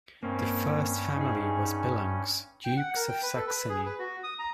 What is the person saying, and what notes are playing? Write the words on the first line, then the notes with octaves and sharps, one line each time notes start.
The first family was Billungs, Dukes of Saxony.
G2 A#3 C4 C#4
D#4 G#4
G5
F#5
A#4
G5
B4
A4
B4
G#4
B4
F#4
D#6
A#5